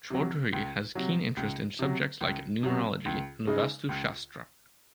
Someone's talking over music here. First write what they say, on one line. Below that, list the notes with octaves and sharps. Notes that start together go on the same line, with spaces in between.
Chaudhry has keen interest in subjects like Numerology and Vastu Shastra.
C3 F#3
C#2
C3 F#3
C#2
C3 F#3
C#2
C3 F#3
C#2
C#3 G#3 D#4
C#2